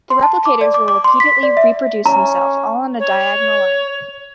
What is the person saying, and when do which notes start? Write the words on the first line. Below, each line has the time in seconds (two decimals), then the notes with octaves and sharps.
The replicators will repeatedly reproduce themselves, all on a diagonal line.
0.10 C6
0.23 A5
0.45 D6
0.61 D5
0.74 D6
0.88 D6
1.04 C6
1.20 B6
1.43 D5
1.57 E5
2.06 C#4 A#5
3.00 C#5